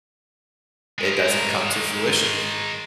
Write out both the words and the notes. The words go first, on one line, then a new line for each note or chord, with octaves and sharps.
it doesn't come to fruition.
G#3 A#4